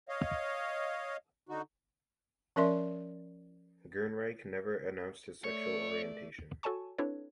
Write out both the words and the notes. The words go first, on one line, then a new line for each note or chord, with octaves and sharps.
Gernreich never announced his sexual orientation.
C#5 D#5 F5
D3 D#4 F#4
F3 C#4 A#4 D5 E5 C6
A3 C#5 D5
F#4 A4 C#5 G#5 A5 C#6
C4 D4 E4 A4 B4 C#5